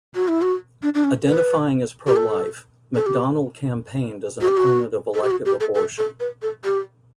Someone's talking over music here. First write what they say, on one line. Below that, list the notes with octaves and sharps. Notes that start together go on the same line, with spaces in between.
Identifying as pro-life, McDonnell campaigned as an opponent of elective abortion.
F#4
E4
F#4
D4
D4
C#4
B4
G4
A4
A4
G4
F#4
G4
F#4
A4
G4
F#4
G4
A4
A4
A4
B4
A4
G4